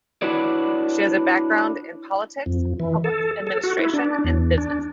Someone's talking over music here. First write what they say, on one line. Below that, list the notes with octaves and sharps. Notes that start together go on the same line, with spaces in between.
She has a background in politics, public administration and business.
D4 E4 F#4 B4 C#5 D5
F2
E3
A4
A4
F#4
E4
D4
E2
D4